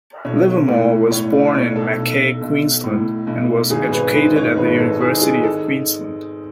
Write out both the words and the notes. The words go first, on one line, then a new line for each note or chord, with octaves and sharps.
Livermore was born in Mackay, Queensland, and was educated at the University of Queensland.
B1 C#5
A2
A2 C#5
D5
B1 C#5
A4
B1
B1
A2
B1
G#1 G#4
B4
G#2 B4
C#5
G#1 B4
A4
G#2 G#4
G#4
A4